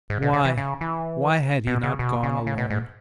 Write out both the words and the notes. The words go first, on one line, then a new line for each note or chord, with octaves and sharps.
Why ... why had he not gone alone?
G#2
B2
C#3
E3
C#3
E3
B2
C#3
B2
C#3
C#3
B2
G#2